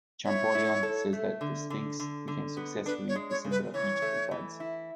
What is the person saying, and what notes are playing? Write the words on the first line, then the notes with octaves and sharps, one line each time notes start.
Champollion says that the sphinx became successively the symbol of each of the gods.
E4 C#5
E4
A4
A3
D3
D3
D3
D3
B3
D4 B4
C#5
G#3
C#5
C#3
B4
E3 C#5
A3
E3
E4